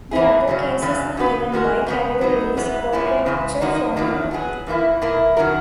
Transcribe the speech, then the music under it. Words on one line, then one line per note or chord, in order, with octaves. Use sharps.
The other cases are given by Cavalieri's quadrature formula.
E3 A#3 E4 G#4
F#2 C#3 F#3
E2 C#3 F#3 C#4
C#3 F#3 B3 F#4 B4
D#3 G#3 C#4 F#4 A#4
C#3 G#3 B3
F#3 B3 D#4
E3 G#3 B3
A#2 G#3 C#4 E4
C#3 E3 G#3
F#2 D#3 A#3 D#4 F#4
E2 D#3 F#3 A#3
F#3 B3 E4 G#4
F#2 E3 A#3 E4
B2 A#3 E4 A#4
D#3 F#3 C#4 F#4 A#4